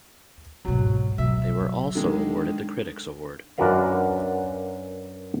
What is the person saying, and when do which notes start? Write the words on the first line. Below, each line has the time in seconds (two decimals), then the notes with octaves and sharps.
They were also awarded the critics award.
0.65 G#2 B2 F#3
1.18 B2 F#3 E5
1.95 D3 D#3 G#3
3.58 F#2 D4 F#4 A#4 B4 F5